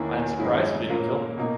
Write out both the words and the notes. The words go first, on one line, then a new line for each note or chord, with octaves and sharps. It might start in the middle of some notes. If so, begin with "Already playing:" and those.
I am surprised you didn’t kill me.
Already playing: E2 D#3 A#3 C#4 E4
G2 D#3 G#3 C#4 E4
A#2 A#3 C#4
B2 A#3 D#4